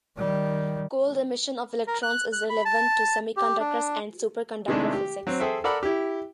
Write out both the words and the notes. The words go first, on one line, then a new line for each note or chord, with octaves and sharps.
Cold emission of electrons is relevant to semiconductors and superconductor physics.
D#3 G3
A#4
F#6
F#6
B5
A5
G4
D4
C3 D#3 G#3 A3 D4 E4
G4
F#3 C4
G#4 A4 C5 E5 G5
A4 A#4 D5 F#5 B5 E6
E4 G4